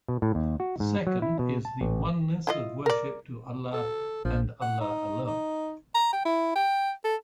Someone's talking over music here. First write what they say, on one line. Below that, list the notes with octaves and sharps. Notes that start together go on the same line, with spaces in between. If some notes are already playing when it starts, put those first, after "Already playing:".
The second is the oneness of worship to Allah and Allah alone.
B2
A2
D#2
F#4
G#2
F#3
E4
B2
A5
A1
E4 F4 D#5
A#4 D5
A4
A#1 F3
F#5
D#4
D#4
A#5
G5
E4
G5
A4